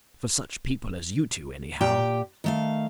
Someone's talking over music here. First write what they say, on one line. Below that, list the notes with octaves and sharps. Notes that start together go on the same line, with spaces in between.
For such people as you two anyhow.
A#2 G4 G5
D#3 A3 F5